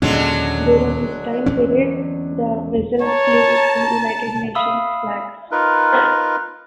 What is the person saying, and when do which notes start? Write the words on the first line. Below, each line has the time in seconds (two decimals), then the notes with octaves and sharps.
During this time period, the vessel flew the United Nations flag.
0.02 D#2 A#2 D3 F#3 G#3 C#4
1.46 E2 C4 C#4
3.02 C#5 A5 A#5
4.55 E5 F5 B5 D#6 E6
5.51 D#4 F4 A#4 B4